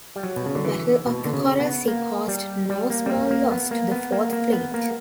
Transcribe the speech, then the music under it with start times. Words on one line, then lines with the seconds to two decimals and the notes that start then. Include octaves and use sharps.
The Battle of the Coral Sea caused no small loss to the Fourth Fleet.
0.16 G3
0.23 F#3
0.36 B2
0.46 C#3
0.55 D3
0.65 E3
1.06 B2
1.25 D3
1.33 C#3
1.60 B3
1.88 A#3
2.28 G3
2.70 G3
2.90 A#3
3.06 G3
3.10 A#3
3.31 A#3
3.51 B3
3.71 A#3
3.91 B3
4.12 A#3
4.33 A#3
4.53 B3
4.74 A#3